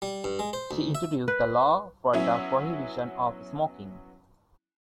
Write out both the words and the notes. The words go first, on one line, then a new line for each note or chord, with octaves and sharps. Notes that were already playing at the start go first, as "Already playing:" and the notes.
She introduced the law for the prohibition of smoking.
G3
G2
G#3
C5
D2
E5
B4
F#3 B3 C#4 E4 E5